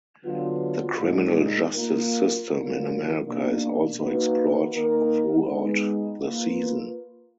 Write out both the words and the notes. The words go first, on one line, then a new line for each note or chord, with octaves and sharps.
The criminal justice system in America is also explored throughout the season.
D3 F#3 B3 F4
A#2 G#3 D#4
A#3 F4 A#4
D3 F#3 A#3 F4 A#4
B2 A#3 D4
A#3 D#4 F#4 B4
D#3 A#3 D#4 A#4
G#3 B3 D#4
A#3 F4 B4